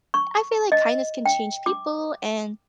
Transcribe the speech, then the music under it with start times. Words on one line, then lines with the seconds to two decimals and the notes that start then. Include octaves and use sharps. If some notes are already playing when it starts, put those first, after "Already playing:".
I feel like kindness can change people, and
0.14 C#6
0.72 D#5
1.25 G5
1.66 D6